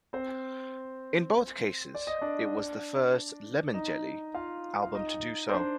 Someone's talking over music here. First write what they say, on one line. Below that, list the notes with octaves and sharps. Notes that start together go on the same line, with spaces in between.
In both cases, it was the first "Lemon Jelly" album to do so.
C4 C5
D5
D#5
D4 D5
D#4 D#5
F4 F5
F5
D#4 D#5
C5
D4 D5